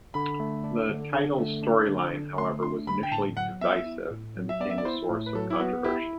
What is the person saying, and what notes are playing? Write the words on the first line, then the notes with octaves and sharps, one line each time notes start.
The title's storyline, however, was initially divisive and became the source of controversy.
D3 B5
A3
D4
D3
D3
A3
D4
D3
D3
A3 C6
D4 C6
D3 B5
G5
A2 A5
F#3 F#5
B3 E5
E4
A2
F#3
E5
B3 D5
E5
D5
E4 C5
A2
B4
F#3 A4
E4
B3 F#4
E4 G4